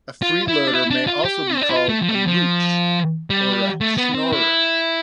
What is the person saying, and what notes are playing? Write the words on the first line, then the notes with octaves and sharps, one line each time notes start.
A freeloader may also be called a "mooch" or a schnorrer.
F4
E4
D4
E4
D4
F4
G4
C4
D4
E4
F4
A3
F3
A3
G3
F3
G3
A3
B3
C4
E4